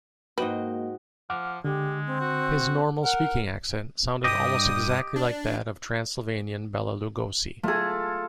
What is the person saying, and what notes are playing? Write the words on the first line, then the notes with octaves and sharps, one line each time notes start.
His normal speaking accent sounded almost exactly like that of Transylvanian Bela Lugosi.
G#2 A#3 F#4 B4 D#5 G5
F3 F#5 D6 F6
D3 G#3 G4
C4
F#4
A#4 F#5
G2 G4 D#5 D#6
D4
A3 F4 G#4 A4